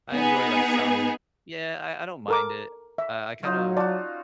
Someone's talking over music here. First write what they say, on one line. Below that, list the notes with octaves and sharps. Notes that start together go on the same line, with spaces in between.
I enjoy like some Yeah, I I don't mind it, uh, I kind of
B3 D#4 G#4 B4
A4 A#4 D6
E5
F#3 C#4 D#4 F4
F4 F#4 D5 A5